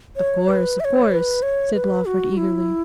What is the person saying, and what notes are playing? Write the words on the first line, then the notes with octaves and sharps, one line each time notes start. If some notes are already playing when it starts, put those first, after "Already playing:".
'Of course, of course,' said Lawford eagerly.
C#5
B4
E5
C#5
B4
C#5
B4
F#4
E4